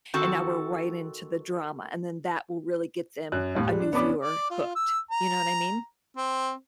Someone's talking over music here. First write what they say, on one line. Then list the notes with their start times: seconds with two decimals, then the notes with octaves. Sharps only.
and now we're right into the drama, and then that will really get them, a new viewer, hooked. You know what I mean?
0.14 D#3 C4 F#4 A4
3.32 F#2 F#6
3.55 D#2 A2
3.67 G3 G#3
3.80 D4
3.92 F1 B3 C#4 D4 B5 D6
4.22 D5
4.50 F4
4.76 E6
5.11 A#5
6.17 C4